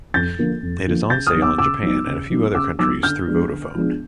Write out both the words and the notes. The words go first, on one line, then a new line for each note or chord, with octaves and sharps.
It is on sale in Japan and a few other countries through Vodafone.
F2 G6 A6
D3 F3 A#3
F2
D3 F3 A#3
C#3 G6 A6
D#6 F6
F#3 B3 D#4
D6 E6
C#3 D6 E6
F#3 B3 D#4
C#3
F#3 B3 D#4
C#3 D6 E6
F#3 B3 D#4 D6 E6
D3 F6 G6
F3 G#3 B3 D4
D3
F3 G#3 B3 D4